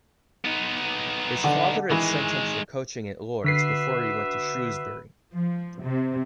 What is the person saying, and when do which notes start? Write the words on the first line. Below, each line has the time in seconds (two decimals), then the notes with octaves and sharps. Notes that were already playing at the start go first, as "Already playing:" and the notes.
His father had sent him for coaching at Lord's before he went to Shrewsbury.
0.45 B3 D#4
1.44 D3
1.91 D#3 E3 G#3
3.44 D3 F#4 B4 E5 B6 C7
5.34 F3
5.83 C3